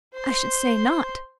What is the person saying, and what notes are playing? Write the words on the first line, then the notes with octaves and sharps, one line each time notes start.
I should say not!
C5 C6